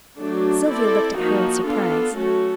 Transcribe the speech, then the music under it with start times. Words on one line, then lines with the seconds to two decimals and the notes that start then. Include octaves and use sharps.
Sylvia looked at her in surprise.
0.19 F#3 A3 D4
0.67 C4 E4 A4 D5
1.17 F3 A#3 D#4 F#4
1.66 B3 D4 F4 A4
2.15 F#3 A3 C#4 F#4 A4